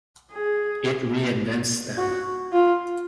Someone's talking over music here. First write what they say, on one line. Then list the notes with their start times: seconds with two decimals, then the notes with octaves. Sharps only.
It reinvents them.
0.32 G#4
1.97 F#4
2.53 F4